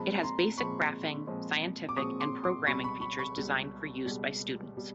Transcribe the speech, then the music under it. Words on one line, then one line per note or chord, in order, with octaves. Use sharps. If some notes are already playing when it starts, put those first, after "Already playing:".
It has basic graphing, scientific and programming features designed for use by students.
Already playing: A#2 F3 G#3 C4 A5 B5
A#5 C6
A#2 F3 G#3 C4 B5 C#6
A#2 F3 G#3 C4
D6
A#2 F3 G#3 C4 C#6 D#6
C6 D6
C6 D6
C#2 B2 G3 B5 C#6
B5 C#6
B5 C#6
B5 C#6
C#2 B2 G3
C#2 B2 G3
B2 G3